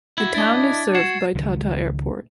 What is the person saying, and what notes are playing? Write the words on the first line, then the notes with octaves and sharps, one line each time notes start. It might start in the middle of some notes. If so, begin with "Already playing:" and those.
The town is served by Tata Airport.
E4 F#4 G#6
D4 E4 D#5 A6
F#4 G#6 C7 E7
C#2 D#3 F#3 G#3